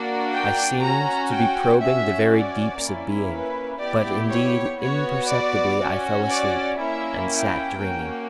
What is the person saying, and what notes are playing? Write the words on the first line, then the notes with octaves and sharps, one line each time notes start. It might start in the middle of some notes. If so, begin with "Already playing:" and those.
I seemed to be probing the very deeps of being, but indeed imperceptibly I fell asleep, and sat dreaming.
Already playing: A#3 D4 F#4
G5
C#4 F#4 A#5
G5
C#4 F#4 E5
D5
A#3 C#4 E4
B4
B3 E4 G4 D5
C#5
B3 F#4 C#5
D5
C#4 F#4
D5
A#3 C#4 E4 E5
G5
A#3 C#4 F#4